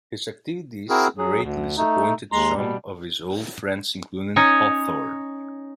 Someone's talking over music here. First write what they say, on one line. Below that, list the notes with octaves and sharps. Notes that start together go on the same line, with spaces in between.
His activities greatly disappointed some of his old friends, including Hawthorne.
C4 E4 F#4 G#4 A#4
F#3 G#4
D2
A3 D#4
D#2 G#3 A#5 C6
B2 G3
C#4 D#4 C#5 D#5